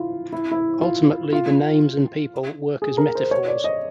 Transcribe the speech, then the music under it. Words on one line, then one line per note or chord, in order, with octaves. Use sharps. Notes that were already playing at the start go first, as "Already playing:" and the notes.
Ultimately the names and people work as metaphors.
Already playing: E4 F4
E4
E4
F4
F4
G#4
A#4
C5
C#5
D5
D#5